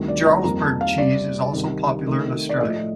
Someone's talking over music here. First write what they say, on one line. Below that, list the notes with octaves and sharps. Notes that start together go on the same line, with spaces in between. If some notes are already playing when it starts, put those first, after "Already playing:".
Jarlsberg cheese is also popular in Australia.
Already playing: D2 C3 D#3 G3
D5
A#5
F2 D#3 G3 A#3 D#4 A#5
A5
F5
C3 G3 C4 D5
C2 C3 D#3
C3 D#3 A3
D5
A2 F3 A3 D#5